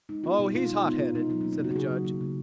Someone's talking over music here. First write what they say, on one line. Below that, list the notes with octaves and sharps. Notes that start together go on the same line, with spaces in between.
"Oh, he's hot-headed," said the Judge.
G#3 D#4
B3 F4
B2 D#4
B2 F4
G#3 D#4
B3 D#4
B2 F4
B2 D#4
F#3 D#4
A#3 C#4
D#4
C#3 F#4
F#4
C#3 G#4
F#3
A#3
C#3